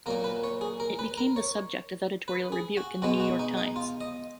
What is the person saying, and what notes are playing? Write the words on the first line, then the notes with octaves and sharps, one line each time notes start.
It became the subject of editorial rebuke in "The New York Times".
A#2 F#3 A#3 A#4
B4
C#5
G#4
A#4
B4
A#4
C#5
B4
G#4
F#4
B2 G#3 B3 F#4
F#4
D#4
D#4
F4
D#5